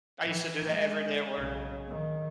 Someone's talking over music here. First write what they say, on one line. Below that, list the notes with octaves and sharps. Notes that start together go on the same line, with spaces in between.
I used to do that every day at work.
E3
G#3
B1 C#3
D#3